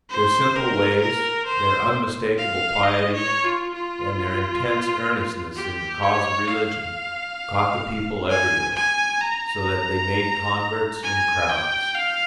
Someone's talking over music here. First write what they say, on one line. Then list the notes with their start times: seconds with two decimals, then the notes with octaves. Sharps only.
Their simple ways, their unmistakable piety, and their intense earnestness in the cause of religion caught the people everywhere, so that they made converts in crowds.
0.10 C5
0.56 A#4
1.01 A#4
1.47 C5
2.38 F5
2.83 D#5
3.14 C#5
3.44 F4
3.75 F4
5.57 G4
6.03 C#5
6.48 F5
8.31 G#5
8.76 G#5
9.21 A#5
11.04 G#5
11.49 G5
11.95 F5